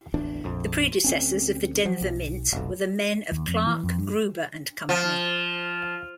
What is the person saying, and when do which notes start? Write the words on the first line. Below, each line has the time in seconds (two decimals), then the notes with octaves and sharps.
The predecessors of the Denver Mint were the men of Clark, Gruber and Company.
0.14 D1 A1 E2 D4
0.44 A#1 F2
1.04 D2 C4 C#4
1.85 F3 F#3
2.01 B1
2.52 F1 B1
3.32 D#2
3.48 F2
3.67 E3
3.84 F2
3.98 G2
4.89 F3